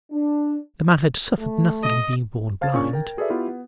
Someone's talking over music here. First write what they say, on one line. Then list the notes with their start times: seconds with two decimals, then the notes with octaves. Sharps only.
The man had suffered nothing in being born blind.
0.12 D4
1.39 A3
1.83 D#5
2.61 C5 F5 A5 G#6 A6
2.74 A#2 C#3 C#4 D4 C#6
2.93 A#4 G5
3.17 F#4 G#4 A4 B4 D5 E5
3.30 B3 E4 F4 G4
3.48 B3